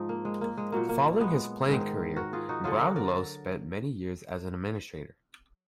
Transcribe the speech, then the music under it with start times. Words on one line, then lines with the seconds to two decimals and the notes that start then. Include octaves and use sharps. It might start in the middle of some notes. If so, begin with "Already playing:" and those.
Following his playing career, Brownlow spent many years as an administrator.
Already playing: G#2 F3 D#4
0.09 A#3
0.25 G#3
0.41 A#3
0.57 G#3
0.72 A#2 F#3 A#3
0.89 A#3
1.20 G#3 B3
1.68 G#2 D#3 G#3
2.16 F#4 A#4
2.33 F4 G#4
2.49 D#4 F#4
2.64 D3 F#3 F4 G#4
2.80 F#4 A#4
2.96 A#4 D5